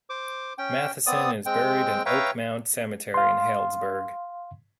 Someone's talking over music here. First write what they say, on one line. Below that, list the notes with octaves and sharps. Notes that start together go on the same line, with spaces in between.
Matheson is buried in Oak Mound Cemetery in Healdsburg.
C5 D6
C#4 G5
B3 C4 D5 D#6
G#3 C4 G5
B4 C#5 E5 F5 G5 A#5
F5 C6